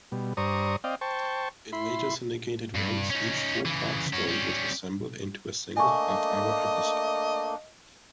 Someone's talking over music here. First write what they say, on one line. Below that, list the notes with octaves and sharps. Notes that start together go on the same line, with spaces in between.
In later syndicated runs, each four-part story was assembled into a single half-hour episode.
B2 G3
G2 C5 D5 A#5 C#6 D#6
C4 D5 D#5 F5 G5
C5 G5 A5 C#6
E4 B5 C6
G2
C#4 D#4
C#3 E3
C#4 F#4
G3 C#4
A3 A#3 D4 D#5 G#5 C#6